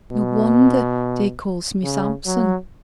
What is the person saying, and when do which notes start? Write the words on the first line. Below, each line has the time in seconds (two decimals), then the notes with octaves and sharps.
No wonder day calls me Sampson.
0.12 B2
1.83 C#3
2.26 F#3